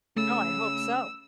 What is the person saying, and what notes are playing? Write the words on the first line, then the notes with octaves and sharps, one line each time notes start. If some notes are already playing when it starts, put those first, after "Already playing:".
Oh, I hope so.
C#3 A3 E6